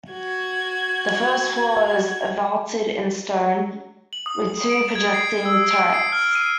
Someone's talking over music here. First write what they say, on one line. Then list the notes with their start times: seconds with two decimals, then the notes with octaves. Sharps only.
The first floor is vaulted in stone, with two projecting turrets.
0.11 F#4 G#6
4.13 F#7
4.26 D#6
4.69 D7
4.95 G#6
5.14 C7
5.45 E6
5.71 D7
5.94 C7
6.12 F6
6.35 D#7